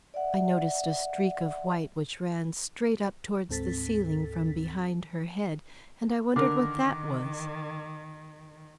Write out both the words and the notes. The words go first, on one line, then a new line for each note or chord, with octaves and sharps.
I noticed a streak of white which ran straight up towards the ceiling from behind her head, and I wondered what that was.
D5 E5 F#5
D2 G#2 C4 A4 A6 B6
D3 D#3 A#4 D6